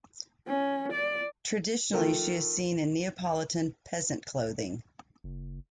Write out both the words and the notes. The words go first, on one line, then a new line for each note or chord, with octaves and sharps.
Traditionally, she is seen in Neapolitan peasant clothing.
C#4
D5
D#3 F3 A3 A#4
F#1